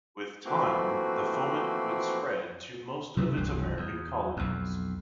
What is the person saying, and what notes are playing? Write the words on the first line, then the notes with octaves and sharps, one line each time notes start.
With time the foment would spread to most of its American Colonies.
E3 F3 A3 A#3 C4 F#4
C3 F#3 G3
E1 C2 G2
E2
B1 F2